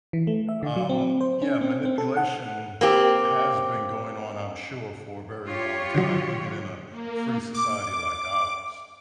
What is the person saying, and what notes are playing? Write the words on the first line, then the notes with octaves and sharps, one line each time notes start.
um, yeah, manipulation has been going on, I'm sure, for a very long time, even in a free society like ours.
E3
A3
E5
D3
F#3
C4
C5
C#4
C4
C4
A4
F#5
A#3 C4 G4
F4 G4 C#5
D3 D#3 F#3
A#3
D6